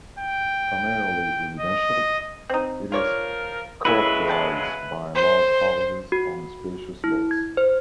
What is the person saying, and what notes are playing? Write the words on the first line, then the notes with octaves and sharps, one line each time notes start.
Primarily residential, it is characterized by large houses on spacious lots.
G5
D#5
C4 D#4
F3 F4 A#4 C#5 D5
C#3 F#3 G#3 E4 F#4 B4 E5
F#4 G5 A5
C5
F#4
E4
G#6
C5